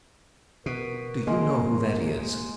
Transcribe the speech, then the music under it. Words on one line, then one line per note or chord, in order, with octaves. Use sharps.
"Do you know who that is?"
B2 A#4
G#3 A#3